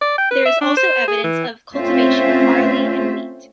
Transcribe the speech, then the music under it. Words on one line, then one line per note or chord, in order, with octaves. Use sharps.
There is also evidence of cultivation of barley and wheat.
D5
G5
B4
E5
D4
C5
G#4
E3
A3 C4 C#4 F4 C5 E5